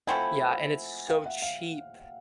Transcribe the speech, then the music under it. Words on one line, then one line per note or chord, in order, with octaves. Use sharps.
Yeah, and it's so cheap.
F3 A3 C4 E4 F#5 G#5
F5 G5
E5 F#5
F5